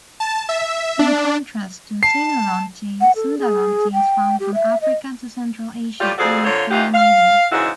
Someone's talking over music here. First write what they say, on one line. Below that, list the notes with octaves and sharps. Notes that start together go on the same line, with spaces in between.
In contrast to sinodonty, sundadonty is found from Africa to Central Asia and Scandinavia.
A5
E5
D4
A5 C7
F#5
A4
G#4
G5
G4
E5
D#5
A2 G3 F4 G4
F2 F3 F#4 G#4 A4 D5
D3 A#3 C4 F4 C#5
D#2 E3 D#4 F4 G4 F#5
F5
G#2 C#3 E3 G#3 E4 F#4